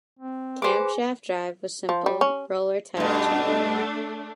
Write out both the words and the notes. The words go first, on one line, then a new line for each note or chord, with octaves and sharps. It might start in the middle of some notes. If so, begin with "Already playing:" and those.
Camshaft drive was simple roller-type chain.
C4
G#4 B4 C5 G#5 D6
F3
G3
C#4
G2 B2 A3 D4